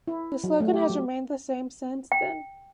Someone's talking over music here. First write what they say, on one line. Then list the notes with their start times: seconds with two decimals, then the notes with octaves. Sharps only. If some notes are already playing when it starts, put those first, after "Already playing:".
The slogan has remained the same since then.
0.08 E4
0.44 F#3
0.60 A3
0.74 G4
0.90 F#3
2.12 G5